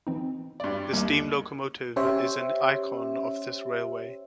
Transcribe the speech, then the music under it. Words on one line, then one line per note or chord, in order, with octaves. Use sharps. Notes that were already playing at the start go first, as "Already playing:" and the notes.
The steam locomotive is an icon of this Railway.
E3 C4 D#4
G2 D5
D#2 G3
C#4 G4 C5 C#5 E5